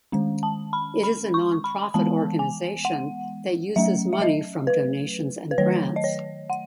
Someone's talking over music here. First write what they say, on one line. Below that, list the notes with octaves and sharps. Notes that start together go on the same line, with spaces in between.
It is a non-profit organization that uses money from donations and grants.
D#3 G#3 C#4
A5
B5
B5
C#6
B5
E3 G#3 B3 A5
G#5
F#5
F#3 A3 C#4 E5
E5
D#5
B4
B4
D#3 F#3 A3 C#5
D#5
C#5
F#5